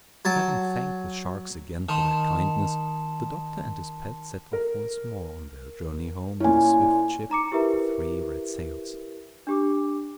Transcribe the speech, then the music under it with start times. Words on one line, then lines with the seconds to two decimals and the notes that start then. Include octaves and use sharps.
HAVING thanked the sharks again for their kindness, the Doctor and his pets set off once more on their journey home in the swift ship with the three red sails.
0.25 F#3 A5
1.89 D#3 A5 C6 E7
4.53 A#4
6.40 A#2 C#4 E4 G#5
7.30 D#4 A#5 D6 C#7
7.52 E4 G4 A#4 B4 E5
9.47 D4 G4 D6